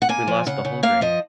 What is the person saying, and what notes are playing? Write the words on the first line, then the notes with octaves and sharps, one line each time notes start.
We lost the whole grain.
F#5
A#3 G#5
F3
C#3 F#5
C#3
A#3 F5
F3 D#5